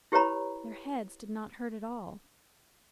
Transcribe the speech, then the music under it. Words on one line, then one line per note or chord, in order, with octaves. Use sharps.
Their heads did not hurt at all.
E4 G4 B4 C#5 A#5 B5